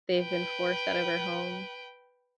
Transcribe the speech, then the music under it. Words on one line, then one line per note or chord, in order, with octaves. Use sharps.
they've been forced out of their home.
B4 G5